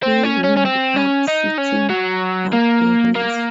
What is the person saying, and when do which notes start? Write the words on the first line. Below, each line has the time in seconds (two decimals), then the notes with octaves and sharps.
He wound up sitting out the race.
0.03 C4
0.23 C#4
0.44 C#4
0.56 C#4
0.65 C4
0.96 C#4
1.28 D#4
1.58 C#4
1.90 F#3
2.53 A#3
3.15 A#3